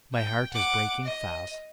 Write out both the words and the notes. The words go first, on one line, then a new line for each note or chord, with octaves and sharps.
My heart is breaking fast.'
G5
F#5 D6
D#5